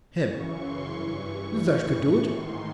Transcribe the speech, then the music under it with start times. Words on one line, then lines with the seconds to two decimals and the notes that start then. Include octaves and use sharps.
HIM: That could do it.
0.23 F#2 C#3 E3 C#6
0.56 C6
0.89 G2 E3 C#6
1.57 A2 E3 C#6
2.24 G#2 D#3 C6